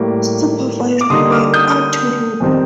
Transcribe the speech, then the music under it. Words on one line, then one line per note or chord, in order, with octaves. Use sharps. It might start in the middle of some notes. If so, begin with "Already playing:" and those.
Supervised by Art Rupe.
Already playing: A2 G3 A#3
D6
D3 G3 A#3 D#4 C6 D#6
D6 F6
D#6 G6
F2 D#3 G3 C4 D#4